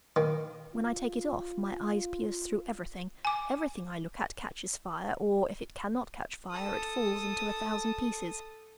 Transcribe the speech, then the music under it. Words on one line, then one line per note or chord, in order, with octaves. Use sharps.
When I take it off my eyes pierce through everything. Everything I look at catches fire, or, if it cannot catch fire, it falls into a thousand pieces.
D#3
F4
G#5 D6
A4 D#6